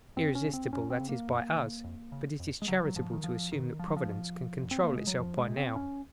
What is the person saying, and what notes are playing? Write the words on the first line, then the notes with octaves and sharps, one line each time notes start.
Irresistible, that is by us; but it is charitable to assume that Providence can control itself by now.
F#2 C4
C#4
C#3
C4
F#2 C#4
C4
C#3
A#3
F#2
C#3
F2
C#3
F2
G#3
C#3 F#3
F#3
G#2 F3
D#3
F3
G#2 D#3
F3
F#3
F3
G#2
F#2
C4
A#3
C#3 G#3
F#3
F2 F3
G#3
C3
C4
F2 C#4